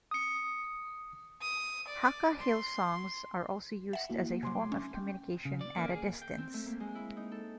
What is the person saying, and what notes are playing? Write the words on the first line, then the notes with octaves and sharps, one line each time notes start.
Hakka hill songs are also used as a form of communication at a distance.
D#6 C#7
D#6
D5
C6
E5 F#5
A#3 E4 F#4
C3 F#3 G#5 C6 D6
A3 C#4
G5
C#3
D5
A#3
G#4
G5
C4
A3
A#3
G#3
E4
D#4
A4